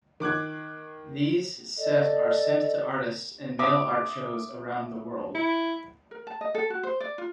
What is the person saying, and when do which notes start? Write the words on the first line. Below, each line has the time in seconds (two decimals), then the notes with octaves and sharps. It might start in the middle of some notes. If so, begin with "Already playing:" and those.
These set are sent to artists and Mail Art shows around the world.
0.20 D#3 D6 F#6 G#6
1.77 A4 D5 D#5
3.59 E5 D6 D#6
5.35 E4
6.11 A#4
6.27 A5
6.41 D#5
6.55 A4
6.70 F#4
6.83 C5
7.01 D5
7.18 F4